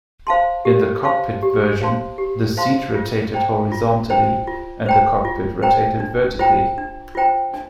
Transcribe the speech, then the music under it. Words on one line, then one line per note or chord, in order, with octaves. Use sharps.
In the cockpit version, the seat rotated horizontally, and the cockpit rotated vertically.
C5 F5 A5 C6
G4
C5 F5 A5 C6
G4
C5 F5 A5 C6
G4
C5 F5 A5 C6
F4
C5 G5 A#5
F4
C5 G5 A#5
F4
C5 G5 A#5
F4
C5 G5 A#5
D4
F4 C5 G5 A#5
D4
F4 C5 G5 A#5
D4